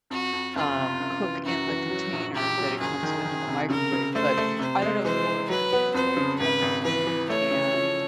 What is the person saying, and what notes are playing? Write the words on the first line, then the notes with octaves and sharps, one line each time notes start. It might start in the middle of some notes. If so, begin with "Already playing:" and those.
um, cook in the container that it comes with in the microwave, but I don't know if you've ever heard of 'em, they're called Kevin's and
F2 F#4
F2
F#1 F4
C3
F#2
E3
F#2 F#4
E3
F#3
A#1
A#1 G4
F#3
F#1 G#4
D#3
D#3
C3
C#3 A#4
C#3
A3 C5
A3
C3 C5
G#3
E3 C5
E3
F#3 B4
B3
F2 C5
C#3
G#1 B4
G#1
E3 B4
E3
A3 C#5
C#3
F3